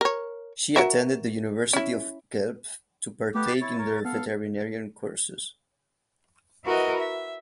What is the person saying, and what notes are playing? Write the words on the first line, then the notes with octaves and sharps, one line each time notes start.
She attended the University of Guelph to partake in their veterinarian courses.
A#4 C#5
F#4 A#4 E5
C#4 E4
A3 B3 G4
A6
E4 C#5
A#4 C#5
B3 A4 F5
E4 F#4 A#4 B4 D#5 F#5
E5